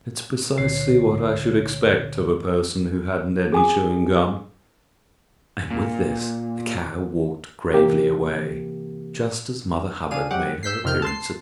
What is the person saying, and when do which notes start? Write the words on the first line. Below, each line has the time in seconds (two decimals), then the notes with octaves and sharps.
"It's precisely what I should expect of a person who hadn't any chewing-gum." And with this the Cow walked gravely away, just as Mother Hubbard made her appearance at the window.
0.58 C#2 A#2 D3 C#5 C7
3.52 G#4 G#5 D#6
5.70 A#2
7.74 C3 E3 A#3 G4
10.11 C#3 D4 G#4 F5 D#7
10.31 F#3 G#3 G4 F#5 D6
10.63 E6 G6 B6 C7
10.84 F2 C3 D#3 F6 G6
11.02 A5 C6 C7